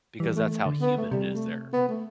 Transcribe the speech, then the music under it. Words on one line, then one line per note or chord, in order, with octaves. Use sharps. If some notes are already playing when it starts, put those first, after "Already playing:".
because that's how humid it is there.
E3 G3
A3
A3
D3
B3
A3
C3 G3
A3
B3
A3